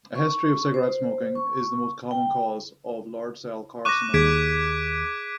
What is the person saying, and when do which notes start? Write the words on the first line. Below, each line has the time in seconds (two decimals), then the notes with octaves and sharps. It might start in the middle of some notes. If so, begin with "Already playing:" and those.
A history of cigarette smoking is the most common cause of large cell carcinoma.
0.15 C#6
0.74 C5
1.35 C#6
2.11 G5
3.85 C#6 D6 F#6 A#6 D#7
4.14 D#2 G#4 G#6 B6 D7